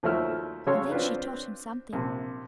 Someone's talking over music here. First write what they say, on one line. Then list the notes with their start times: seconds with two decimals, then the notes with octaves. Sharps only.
And then she taught him something!
0.03 D#2 F3 F#3 A3 E4 F6
0.67 C#3 F#3 A4 C#5 F5 C6
0.91 C4 D4 F4 B4
1.93 A#1 C3